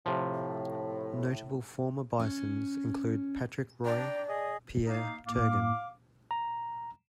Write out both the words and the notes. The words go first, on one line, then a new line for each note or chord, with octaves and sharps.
Notable former Bisons include Patrick Roy, Pierre Turgeon.
A2 C3 F3
C#4
D4 D5 G5 A#5
G#4 D#5
A#3 D#4 F5
A2 A#3 F5 D6
A#5